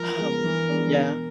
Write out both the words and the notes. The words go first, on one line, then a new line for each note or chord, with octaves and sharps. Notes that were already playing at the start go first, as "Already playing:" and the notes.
um, yeah.
Already playing: F3 A#4
G#3 B3
E3
G#3 B3 D4
B2